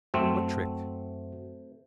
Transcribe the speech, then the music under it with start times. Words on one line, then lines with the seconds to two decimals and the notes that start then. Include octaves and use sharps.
"What trick?"
0.14 F#2 A3 C4 F#4